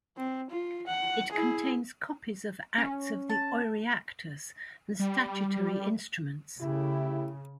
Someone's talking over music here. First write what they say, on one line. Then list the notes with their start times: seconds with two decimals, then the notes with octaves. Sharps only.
It contains copies of Acts of the Oireachtas and statutory instruments.
0.17 C4
0.50 F4
0.87 F#5
1.32 E4 G#4
2.78 C#4
3.29 A5
4.99 G3
6.61 C#3 A3 E4 G4